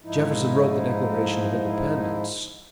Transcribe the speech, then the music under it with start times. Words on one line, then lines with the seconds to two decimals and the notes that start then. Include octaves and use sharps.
Jefferson wrote the Declaration of Independence.
0.04 G#2 F3 D#4 E4